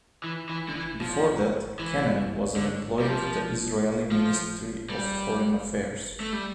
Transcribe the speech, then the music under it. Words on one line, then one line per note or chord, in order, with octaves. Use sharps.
Before that, Kenen was an employee of the Israeli Ministry of Foreign Affairs.
E3
E3
D3
E3
F3
E3
D3
G3
F3
F3
G3
A3
G3